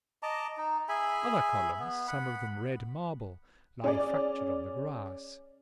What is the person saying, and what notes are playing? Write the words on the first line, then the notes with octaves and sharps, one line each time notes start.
Other columns, some of them red marble, lie fractured on the grass.
D#5 A5 A#5 D6
D#4
G#4 E5 G#5 B5
B3
F#5 B5
C#4 G#4 D5